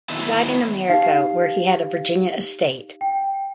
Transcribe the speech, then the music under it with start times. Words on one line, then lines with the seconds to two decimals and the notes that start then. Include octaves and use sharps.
He died in America, where he had a Virginia estate.
0.10 D#3 F#3 A3 B3 E4
0.90 D#4 G4 F5
3.01 G5